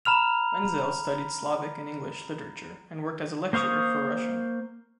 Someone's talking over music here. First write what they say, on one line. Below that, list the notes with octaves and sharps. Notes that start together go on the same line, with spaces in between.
Wenzel studied Slavic and English literature and worked as a lecturer for Russian.
A#5 B5 F6 F7
A#3 C5 F5 C#6 D#6